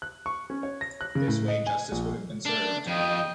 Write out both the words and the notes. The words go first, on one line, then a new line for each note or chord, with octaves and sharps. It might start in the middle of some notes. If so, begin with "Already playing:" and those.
This way, justice would have been served.
F#6
C#6
C#4
C#5
A#6
F#6
C#3
A2
D#5
G#5
A#1
A3 D4
F2 D#5 G5